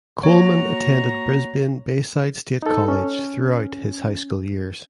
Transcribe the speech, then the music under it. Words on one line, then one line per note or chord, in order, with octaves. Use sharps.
Coleman attended Brisbane Bayside State College throughout his high school years.
A#3 F#4 C#5 A#5
D#4 A4
C#4